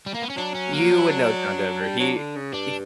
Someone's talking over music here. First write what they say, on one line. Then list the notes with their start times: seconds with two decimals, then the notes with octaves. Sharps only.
You would know John Denver. He h
0.06 G3
0.14 A#3
0.22 B3
0.30 C#4
0.37 F#3 D4
0.55 C#4
0.73 A#3
0.91 D4
0.99 E4
1.08 D4
1.82 G3
2.00 F#3
2.17 D3
2.36 C#3
2.54 G2 D4